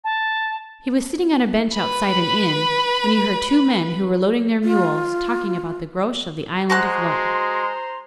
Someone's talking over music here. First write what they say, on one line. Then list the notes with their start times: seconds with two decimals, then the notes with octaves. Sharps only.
He was sitting on a bench outside an inn, when he heard two men who were loading their mules talking about the Groac'h of the island of Lok.
0.04 A5
1.74 B4 B5
4.64 F4
6.70 G#3 F#4 C5 A5 A#5 C6 F#6